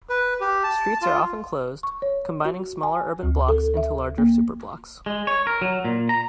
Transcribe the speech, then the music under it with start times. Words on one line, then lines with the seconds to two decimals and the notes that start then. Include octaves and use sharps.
Streets are often closed, combining smaller urban blocks into larger superblocks.
0.10 B4
0.41 G4
0.63 A5
1.02 F4
1.83 C#6
2.02 C#5
2.45 F#4
2.83 G#5
3.23 D2
3.49 A4
3.77 E5
4.18 A#3
5.06 G#3
5.27 C#5
5.47 A#4
5.62 F#3
5.85 A#2
6.09 A#5